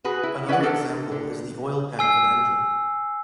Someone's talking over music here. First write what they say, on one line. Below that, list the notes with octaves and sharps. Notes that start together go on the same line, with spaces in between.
Another example is the oil pan of an engine.
F#4 G#4 B4
E4
C#4 B4 D5 E5 F#5
D4 A4 A#4
D3
G#5 E6 C7